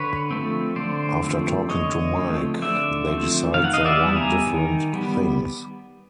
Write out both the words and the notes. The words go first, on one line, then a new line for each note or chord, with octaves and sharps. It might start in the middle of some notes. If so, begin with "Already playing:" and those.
After talking to Mike, they decide they want different things.
Already playing: D3 B4 C#5
F3 A3 C4
D3 C5 D5
F3 A3 C4
D3 C#5 D#5
F3 A3 C4
D3 D5 E5
F3 A3 C4
D#3 F5
F#5
D#5 F5
D5 E5
G3 B3
G#5 A#5
D#3
G3 B3